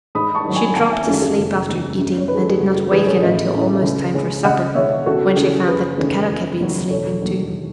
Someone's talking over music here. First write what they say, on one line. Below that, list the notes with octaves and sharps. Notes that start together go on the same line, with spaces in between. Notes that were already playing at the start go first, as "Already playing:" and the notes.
She dropped asleep after eating and did not waken until almost time for supper, when she found that Kadok had been sleeping too.
G#2 B5 D#6
A5 C#6
D#3 F#3
G#5 B5
G#1 F#5 A5
E5 G#5
F#2 D#3 G#3 C#4 F#4 A4
G#4
F#1 G#4
E2 D#3 G#3
F#2
C#5
D#3 B4
G#3 A4
G#4
F#1 F#4
G#4
E2 B2 F#3 G#4 B4
A4 C#5
A1 B4 D#5
A2 G#3 C#4
C#2
C#3 G#3 C#4
C#2 D#5 F#5
B2 G#3 C#5 E5
C#2 F#4 A4
C#3 E3 G#4
F#1 G#4 B4
E2 D#3 A3 C#4
F#1
E2 D#3 F#3
E1 A4 C#5
D#2 D#3 F#3